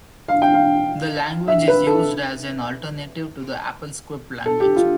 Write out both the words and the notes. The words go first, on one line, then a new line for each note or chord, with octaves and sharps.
The language is used as an alternative to the AppleScript language.
F5
G5
F5
E5
B4
A4
A4
G4
F4